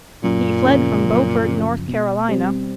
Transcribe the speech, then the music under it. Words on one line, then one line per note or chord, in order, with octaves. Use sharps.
He fled from Beaufort, North Carolina.
F#2 A#2
C#3 F3
F#2
C#3 F3
B2
G3 C4